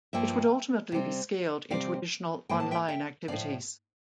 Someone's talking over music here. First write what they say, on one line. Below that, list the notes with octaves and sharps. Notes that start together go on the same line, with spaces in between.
It would ultimately be scaled into additional online activities.
G2 F3 A#3 E5 G5
C3 G3 C4
C3 G3 C4 D5 F5
A2 F3 A#3 G5
A5
E5 G5
E5 G5
A2 F3 A#3 D5 F5